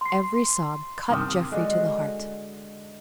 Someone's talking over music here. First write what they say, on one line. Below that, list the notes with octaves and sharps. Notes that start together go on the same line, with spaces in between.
Every sob cut Jeffrey to the heart.
C6 C7
G2 C3 D#3
D3 G#3 F#4